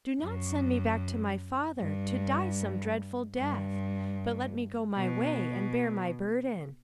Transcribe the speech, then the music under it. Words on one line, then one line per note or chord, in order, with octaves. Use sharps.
Do not send me back to my father, to die some dreadful death; but let me go my way, and bear my burden.
F#2
G2
G2
B2